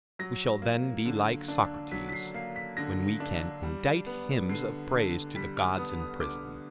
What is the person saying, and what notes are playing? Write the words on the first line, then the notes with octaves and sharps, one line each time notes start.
We shall then be like Socrates, when we can indite hymns of praise to the Gods in prison.
F#3 A#6
A#3
D3
D4
F#3 B6
B6
C7
A#3 C7
B6
D3 A#6
D4
G3
B3
D3 C7
D3
G3 B6
F6
B3 D#6
D#6
D3 D6